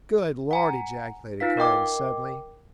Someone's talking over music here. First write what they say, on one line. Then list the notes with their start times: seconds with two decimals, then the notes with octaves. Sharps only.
"Good Lord!" ejaculated Carnes suddenly.
0.51 F#5 G#5 A#5
1.40 D#4 F4 B4 F5 B6
1.57 A#4 D#5 G5 D6